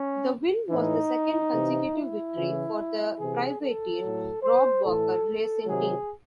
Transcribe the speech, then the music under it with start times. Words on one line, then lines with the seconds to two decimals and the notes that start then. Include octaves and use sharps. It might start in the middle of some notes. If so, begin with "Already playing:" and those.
The win was the second consecutive victory for the privateer Rob Walker Racing Team.
Already playing: C#4
0.70 A2 E3 D#4
1.53 C3 E3
1.94 E4
2.36 C#3 E3
3.18 C3 E3 G#4
3.60 A4
4.01 A2 F#3
4.42 C5
4.84 A2 E3 A4
5.66 C3 D#3 F#3 G#4